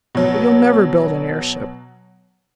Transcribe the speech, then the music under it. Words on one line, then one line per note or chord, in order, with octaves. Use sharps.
"But you'll never build an airship!"
B2 F#3